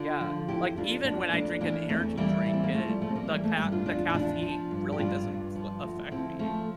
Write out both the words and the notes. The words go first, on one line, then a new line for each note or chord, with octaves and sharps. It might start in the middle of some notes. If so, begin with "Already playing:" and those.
Yeah. Like, even when I drink an energy drink, it the ca the caffeine really doesn't li affect me.
Already playing: D3 D4 F4
F3
F2 E4 G4
F2 D4 F4
F3 A#3 D4
F2 A#3 D4
E3 A#3 D4
E2 A3 C4
E3 G3 A#3
E3
C4
A#3
F3 A3
G3
F3 A3
C4
G3 A#3
E3 G3 A#3
A3
G2 G3
D4 F4
E2 D4 F4
E4
F3 D4 F4
F3
G2
G4
G2 D4 F4
G2
F3
D2
F3 C4 E4
F3 A3